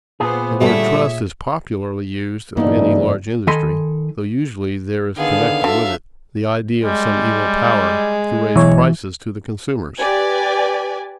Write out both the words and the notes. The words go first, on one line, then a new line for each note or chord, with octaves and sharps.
The word trust is popularly used of any large industry, though usually there is connected with it the idea of some evil power to raise prices to the consumers.
A#2 B3 F4 G#4 C5
D3 G3 A3 F#4 C#5 E5
F#1 G2 D3 E3 A#3 B3 D4 D#4
D#3 A4 D#5 G#5 B5 C6
D3 D#3 B3 G#4 F5
D3 F#3 A4 E5
G3 G#3
B1 E3 C#5
G4 B4 D5 G#5